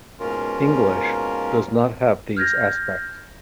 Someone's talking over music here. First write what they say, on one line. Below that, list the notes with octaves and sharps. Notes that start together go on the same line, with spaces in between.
English does not have these aspects.
G#2 B2 A#3 C#4 F4 A#4
F6 G6 G#6 A#6